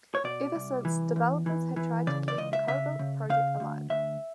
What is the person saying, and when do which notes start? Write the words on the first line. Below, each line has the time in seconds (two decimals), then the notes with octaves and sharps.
Ever since developers have tried to keep the Cobalt project alive.
0.15 C#5
0.24 B2 D5
0.56 C2
0.85 E3
1.16 E2
1.46 E3
1.76 E3
2.07 C#3 D5
2.28 D5
2.38 C#2 D#5
2.53 E5
2.68 C#3 E5
2.99 C#3
3.29 C#3 F5
3.60 D2
3.90 D2 E5